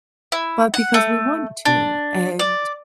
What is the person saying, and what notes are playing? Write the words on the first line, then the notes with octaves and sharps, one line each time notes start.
but because we want to, and
E4
F#5
A3
D4
D5